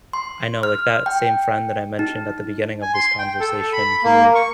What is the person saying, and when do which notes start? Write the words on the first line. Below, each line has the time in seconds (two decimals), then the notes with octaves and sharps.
I know like that same friend that I mentioned at the beginning of this conversation, he,
0.13 C6
0.63 F6
1.06 G5
1.99 D#4
2.82 G#5
2.94 C6
3.19 G5
3.40 A4
3.73 B5
4.04 A#3
4.35 C#6